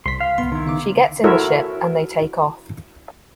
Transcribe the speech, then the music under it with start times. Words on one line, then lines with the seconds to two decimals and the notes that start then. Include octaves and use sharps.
She gets in the ship, and they take off.
0.06 C2 C6 B6
0.20 F5
0.38 B3 C6
0.52 D#3 E4
0.66 C#3 F5 D6
1.24 E4 F#4 A4 A#4 C#5 E5